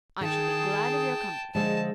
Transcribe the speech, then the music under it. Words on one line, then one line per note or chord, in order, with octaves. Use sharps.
"I shall be glad of your company."
D#3 G#4 G5 A5
D3 F3 G#3 G#4 C5 D#5 A5